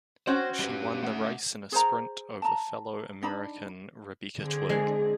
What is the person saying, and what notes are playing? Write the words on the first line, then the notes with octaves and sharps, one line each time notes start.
She won the race in a sprint over fellow American Rebecca Twigg.
C4 C#4 F#4 C5
G3 B4
A3 F#5
G#4 C5 A#5
A5 A#5
D4 D#4 B5
D3 C4 G#4
G#3